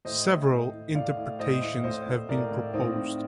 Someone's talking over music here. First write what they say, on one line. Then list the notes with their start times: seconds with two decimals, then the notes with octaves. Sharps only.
Several interpretations have been proposed.
0.05 A2 C5 D#5
0.27 A2
0.50 A2
0.72 A2
0.95 A2 D5 F5
1.17 A2
1.39 A2 C5 D#5
1.61 A2
1.84 A2 C5 D#5
2.06 A2
2.29 A2 A#4 D5
2.51 A2
2.74 A2 C4 D#4
2.96 A2